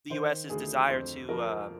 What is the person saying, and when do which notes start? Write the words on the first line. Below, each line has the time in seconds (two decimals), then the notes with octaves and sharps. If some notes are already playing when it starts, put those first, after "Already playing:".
the US's desire to, uh
0.10 D#3 C5
0.50 D2 G#4
0.89 F2 C5
1.29 F3 A#4